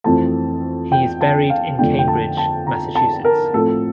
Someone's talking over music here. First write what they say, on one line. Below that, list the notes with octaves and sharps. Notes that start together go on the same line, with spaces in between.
He is buried in Cambridge, Massachusetts.
F2 E3 A3 C4 A5
G5
A5
F5
F2 D3 F3 A3 D4 G5
G5
A5
A5
A#5
A5
A#4
A2 F3 C4 A4